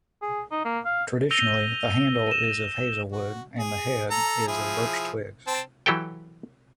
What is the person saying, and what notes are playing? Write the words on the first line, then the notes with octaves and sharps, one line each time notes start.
Traditionally the handle is of hazel wood and the head is of birch twigs.
G#4
D#4
A#3
F5
E6 G6 A#6 D#7 F7 G7
D#7 E7
F#4
G#4
A4 A#5
F3 E4 G#4
C4 A5
E3 F#3 G4 A4 G5